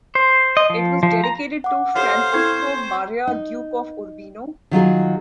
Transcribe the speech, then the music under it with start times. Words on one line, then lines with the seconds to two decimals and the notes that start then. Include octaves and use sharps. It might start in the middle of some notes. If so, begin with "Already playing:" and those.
It was dedicated to Francesco Maria, Duke of Urbino.
0.15 C5
0.57 D#5
0.70 F3
1.03 F3
1.24 A#5
1.64 F#5 D6
1.95 G4 A4 C5 C#5 F5
2.33 C4 E4 A4 G5 C#6 G#6
3.27 D#4
4.71 D#3 F#3 F4 G#4